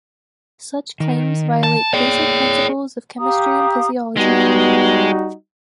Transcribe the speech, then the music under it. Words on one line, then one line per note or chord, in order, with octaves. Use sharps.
Such claims violate basic principles of chemistry and physiology.
D#3
A5
G#4 C#5 D5 G5
G4 F5 A#5 D#6
G3 G#3 B3 D#4 F#4